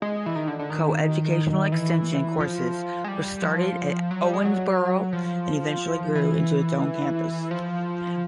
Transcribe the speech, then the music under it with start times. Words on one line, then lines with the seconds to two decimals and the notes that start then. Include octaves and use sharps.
Coeducational extension courses were started at Owensboro and eventually grew into its own campus.
0.02 G#3
0.26 E3
0.36 D#3
0.48 D3
0.59 D3
0.70 D#3
1.72 E3
2.40 F3
3.04 G#3
3.08 G3
3.42 F3
4.11 F#3
4.21 G3
4.34 G#3
4.45 F#3
5.13 F3
6.15 E3
7.51 F3